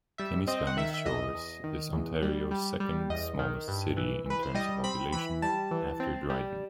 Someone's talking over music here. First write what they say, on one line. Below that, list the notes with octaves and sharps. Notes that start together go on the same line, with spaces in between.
Temiskaming Shores is Ontario's second-smallest city, in terms of population, after Dryden.
G3 E5
C4 D#5
F#5
D#3 E5
E5
E2 D#5
E2
D#3
E2
G3
G3
G3
E2 D#5
D#3
G2
E3
E3 B4
C5
G3 D#5
C4 B5
E3 B5
G3 A5
E3
C4
G3